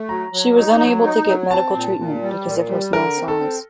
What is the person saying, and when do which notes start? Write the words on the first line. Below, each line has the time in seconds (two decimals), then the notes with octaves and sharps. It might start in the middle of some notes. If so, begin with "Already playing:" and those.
She was unable to get medical treatment because of her small size.
Already playing: A3
0.09 F#3 A#5
0.32 F#3
0.56 D#4
0.80 F#3
1.04 D#4
1.27 F#3
1.51 C4 A5
1.75 A#2
1.98 A#2
2.22 G3
2.46 A#2
2.69 G3
2.93 D3 A#4
3.16 C4
3.28 A4
3.40 C4